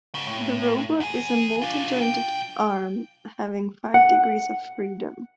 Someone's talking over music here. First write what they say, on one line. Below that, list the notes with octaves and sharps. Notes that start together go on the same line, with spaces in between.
The robot is a multi-jointed arm, having five degrees of freedom.
G#2 C#3
A2
E2 G#4
D4 F4
B1 G5
F#5